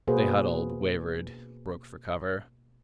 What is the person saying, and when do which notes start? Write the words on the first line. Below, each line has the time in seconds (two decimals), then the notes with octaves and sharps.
They huddled, wavered, broke for cover.
0.08 B2 A#3 F#4 G#4 B4 C5